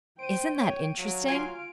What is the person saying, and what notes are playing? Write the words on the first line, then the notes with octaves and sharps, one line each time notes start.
Isn't that interesting?
C5 G5 D7 D#7
C#5
F#3 F5
F4 G#5 C6 D7